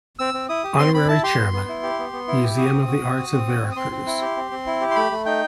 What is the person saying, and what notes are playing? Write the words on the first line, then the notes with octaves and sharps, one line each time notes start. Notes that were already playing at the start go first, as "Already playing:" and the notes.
Honorary Chairman: Museum of the Arts of Veracruz.
C4 E6
C4
E4 D#6
G4
C4 C6
C4 B5
E4 A5
G4 C6
B3
B3
E4
G4
B3
B3
E4
G4
F#4 D#6
C4
F#4
C4
F#4
C4
F#4
C4
D#6
C4 C6
C4
E4
G4
C4
C4
E4
G4
C6
A3 B5
A3
D#4 G5